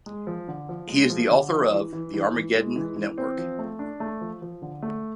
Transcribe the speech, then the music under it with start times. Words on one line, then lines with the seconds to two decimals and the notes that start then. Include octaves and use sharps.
He is the author of "The Armageddon Network".
0.06 G#3
0.27 F3
0.48 D3
0.69 F3
0.89 G#3
1.10 F3
1.31 D3
1.51 F3
1.72 E3
1.93 E3
2.14 E3
2.35 E3
2.55 G#3
2.76 E3
2.96 E3
3.18 C4
3.38 F3
3.59 A3
3.79 D4
4.00 A3
4.21 F3
4.42 F3
4.62 D3
4.82 A3